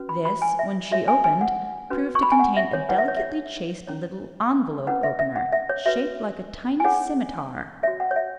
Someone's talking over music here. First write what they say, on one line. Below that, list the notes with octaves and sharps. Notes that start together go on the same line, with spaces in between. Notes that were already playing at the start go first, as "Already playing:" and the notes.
This when she opened proved to contain a delicately chased little envelope opener, shaped like a tiny scimitar.
Already playing: C#4 F#4 B4
B5
B5
G#5
E5
F#4 C#5 E5
G#5
G#5
F#5
C#4 F#4 B4
C#6
B5
G#5
F#5
E5
C#5
E4 B4 F#5
E5
C#5
E5
C#4 E4 C#5
C#4 E4 B4 F#5
E5
E5
F#5
E5
C#5
F#4 B4 E5
G#5
E4 G#4 C#5 F#5
F#4 C#5 E5
F#5
C#5
E5